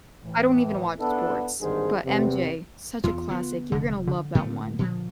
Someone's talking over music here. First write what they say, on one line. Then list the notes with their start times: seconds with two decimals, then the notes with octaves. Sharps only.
I don't even watch sports. But MJ, such a classic. You're gonna love that one.
0.24 A2 E3
0.99 B3 D4 E4 A4
1.60 G#1 G2 D3 D#3 G#4 C5
2.04 E2 C3
3.04 E2 F4
3.28 D3 B3
3.72 F1 D3
4.07 D3
4.35 A2 A3 A#3
4.79 A#2 F3